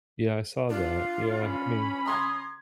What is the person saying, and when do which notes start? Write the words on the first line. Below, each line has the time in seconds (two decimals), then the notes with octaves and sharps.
Yeah, I saw that. Yeah, I mean
0.70 D4 F4
1.42 C#4 B5
2.06 A#5 C6 D#6 G#6